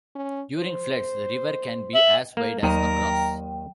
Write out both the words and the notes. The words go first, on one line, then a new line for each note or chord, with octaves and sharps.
During floods the river can be as wide as across.
C#4
C5
E5 F#7
A#3
D#2 D#3 F#3 A#4 G5